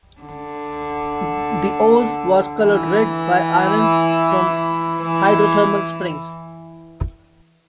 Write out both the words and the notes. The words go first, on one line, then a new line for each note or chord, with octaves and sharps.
The ooze was colored red by iron from hydrothermal springs.
D3
E3
E3